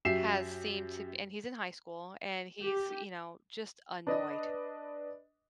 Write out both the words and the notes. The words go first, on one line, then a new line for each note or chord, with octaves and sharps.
has seemed to and he's in high school, and he's, you know, just annoyed.
F#2 G4 E5 C7 E7
G4
D4 B4 D#5